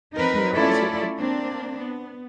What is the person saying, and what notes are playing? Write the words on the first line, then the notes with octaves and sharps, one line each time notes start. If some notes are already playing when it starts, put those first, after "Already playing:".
You know, 'cause it could
F3 C4 D#4 A#4 B4
A3 C#4 E4 F4 A4 D5
A#3 C4 D4
B3